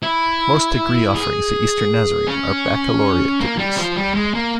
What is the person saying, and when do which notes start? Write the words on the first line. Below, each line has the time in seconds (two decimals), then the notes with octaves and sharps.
Most degree offerings at Eastern Nazarene are baccalaureate degrees.
0.03 E4
1.15 G#4
2.28 C#4
3.40 A#3
3.59 G3
3.77 F3
3.96 G3
4.15 G#3
4.34 A#3